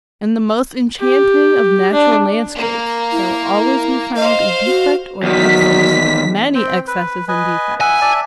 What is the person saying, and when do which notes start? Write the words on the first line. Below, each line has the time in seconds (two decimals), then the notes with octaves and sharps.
In the most enchanting of natural landscapes, there will always be found a defect or an excess--many excesses and defects.
1.00 G4
1.92 D4
2.55 A#3
3.12 E4
4.16 C5 D#5 F5
4.66 F#4
5.23 E2 D#3 F#3 B6
6.55 C4 G5
6.88 B4
7.28 B4 D#5 G#5
7.81 E5 F#5 G#5
8.01 D5 E5 A5